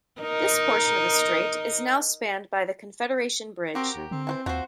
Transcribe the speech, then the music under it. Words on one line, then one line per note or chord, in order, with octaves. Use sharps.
This portion of the strait is now spanned by the Confederation Bridge.
D#4 A#4 D#5
C4 F#4 G4 A#4
D#2
D3 C4
E3 F#4 C5
D#2 F3 F#4 C5 F#5